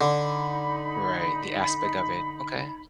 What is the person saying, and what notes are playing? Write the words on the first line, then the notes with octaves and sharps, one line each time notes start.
Right, the aspect of it. Okay.
D3 D#4 B5